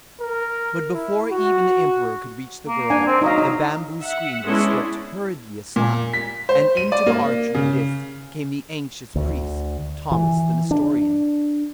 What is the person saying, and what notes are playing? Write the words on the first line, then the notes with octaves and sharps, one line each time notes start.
But before even the emperor could reach the girl, the bamboo screen was swept hurriedly aside, and into the archery lists came the anxious priest, Thomas the Nestorian.
A#4
E4
F#4
A#3
D4 F#5 G#5
C4
F#3 D#4 D#5 F5
D#4
E5 F#5
G#3 B3 C#4 D4 E4
A#2
B6
C5
D#7
D5
A#3
C#3
D2
E3
D4